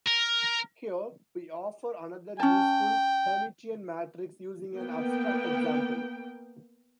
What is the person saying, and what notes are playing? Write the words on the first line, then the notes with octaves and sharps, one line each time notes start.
Here we offer another useful Hermitian matrix using an abstract example.
A#4
C#4 G5 A5
A#3 B3 G5